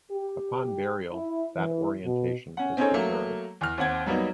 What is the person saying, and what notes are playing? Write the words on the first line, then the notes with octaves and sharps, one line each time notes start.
Upon burial, that orientation is preserved.
G4
E4
E3
B2
C#4 F#5
C4 C#4 D#4 G#4 A4 C#5
F#3 A3 A#3
E2 F6
D#2 C4 F#5 G#6
F#3 G3 A#3 B3 D#4